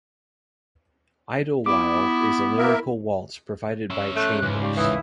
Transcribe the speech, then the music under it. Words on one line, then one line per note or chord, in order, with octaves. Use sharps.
"Idle While" is a lyrical waltz provided by Chambers.
B3 E4 D6
A#3 A#4 E5
C#4 E5
A3 F#6 G6
C#2 G#2 E3 D6
G3 G4 F5 C#6
A1 D#2 E3 E4 D#6